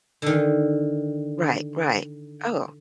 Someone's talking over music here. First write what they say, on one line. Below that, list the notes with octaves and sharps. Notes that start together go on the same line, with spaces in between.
Right, right. Oh,
D3 D#3